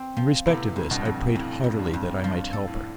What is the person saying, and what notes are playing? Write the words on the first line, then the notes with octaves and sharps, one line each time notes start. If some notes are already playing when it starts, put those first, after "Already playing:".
In respect of this, I prayed heartily that I might help her.
Already playing: C4
F3
A2 C3 B3
F2
G2 B2
F2
F2 A2
F2
G2
F2
G2 F3
A4
A2